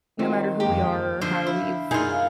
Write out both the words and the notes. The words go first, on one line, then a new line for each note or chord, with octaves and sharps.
no matter who we are or how we've
D#3 F#3 C4 F4
F2 G#3 A#3 G4
D3 F3 C6
E4
F#2 A#3 D#4 F4 G#4